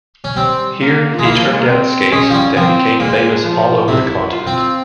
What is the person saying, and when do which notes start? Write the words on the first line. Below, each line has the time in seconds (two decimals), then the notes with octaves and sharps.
Here, he turned out skates that became famous all over the continent.
0.24 C#4
0.36 G3 C4
0.81 A#3
1.14 G#3 F4
1.24 A#3 E4
1.36 F3
1.44 G3
1.52 G#3
1.61 A#3
1.68 C4
2.12 G#3 C#4
2.30 F3
2.34 G3
2.56 F3 C4
3.00 A#2 G#3
3.44 F3
3.88 C3 E4
4.32 F4
4.47 C4